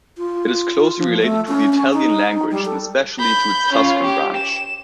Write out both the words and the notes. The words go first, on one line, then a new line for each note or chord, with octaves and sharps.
It is closely related to the Italian language and especially to its Tuscan branch.
F4
F3
A3
C#4
C#4
D#4
G3
A4
B5 G6
C#4 F4
G4
E7